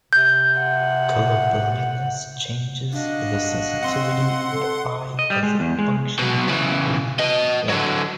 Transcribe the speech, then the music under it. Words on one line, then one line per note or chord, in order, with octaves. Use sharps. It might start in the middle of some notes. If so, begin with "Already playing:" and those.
Color blindness changes the sensitivity of the eye as a function of wavelength.
C3 G6
F#5
D4 F#4 D#5 F5
C4 F#5 C6
A4
D#5
G3
G#3
E2
G#3
B2 F#3
C#3 E3
B4 D#5
D3 F#3